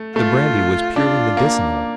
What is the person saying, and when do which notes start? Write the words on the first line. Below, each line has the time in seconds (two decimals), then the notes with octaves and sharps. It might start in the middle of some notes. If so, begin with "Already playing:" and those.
The brandy was purely medicinal.
Already playing: A3
0.16 A3 F4
0.96 D4 F4
1.37 A#3